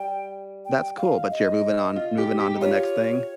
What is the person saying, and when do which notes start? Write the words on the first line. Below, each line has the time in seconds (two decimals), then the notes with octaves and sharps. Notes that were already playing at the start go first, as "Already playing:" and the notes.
That's cool, but you're moving on moving on to the next thing?
Already playing: G3 G5
0.65 G5
0.97 F5
1.30 D#5
1.96 F4
2.18 G4
2.40 G4
2.55 D#4
2.61 F4 C#5